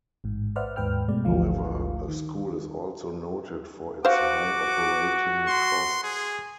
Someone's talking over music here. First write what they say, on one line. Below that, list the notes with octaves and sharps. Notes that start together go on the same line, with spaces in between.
However, the school is also noted for its high operating costs.
A1 G#2
B4 C5 D5 E5 F#5 F6
D#2 G#2 B4 G5 F6
G2 B2 G#3 A3 D5
G#1 D2 E3 F3 A3 F5
D#3
F#4 C5 F5 D6
C6
G#4